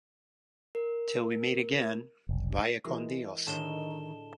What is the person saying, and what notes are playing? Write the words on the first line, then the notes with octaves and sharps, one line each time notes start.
Till we meet again, vaya con Dios.
A#4
F1 B1
E3 G#3 F#4 A#4
A2 D3 D#3 G#3 A5 E7 G7